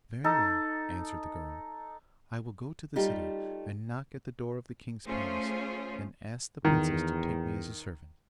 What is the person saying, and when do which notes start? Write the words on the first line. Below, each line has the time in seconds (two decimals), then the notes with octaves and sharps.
'Very well,' answered the girl, 'I will go to the city, and knock at the door of the king's palace, and ask the princess to take me as a servant.'
0.24 D#4 A4
2.96 G3 A3 D#4 F4 G4
5.06 A3 C#4 F4 G#4 C5
6.65 E2 D#3